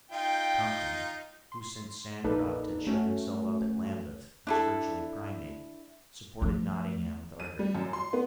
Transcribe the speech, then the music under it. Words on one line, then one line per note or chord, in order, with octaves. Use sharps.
Compton, who, since Sancroft had shut himself up at Lambeth, was virtually Primate, supported Nottingham with ardour.
D#4 F4 G5
C6
A#1 A#3 D#4 A4 B4 D5
A3 C#4 F#4
D4 E4 A4
F3 A3
D#7
G3
F#2
C6
B3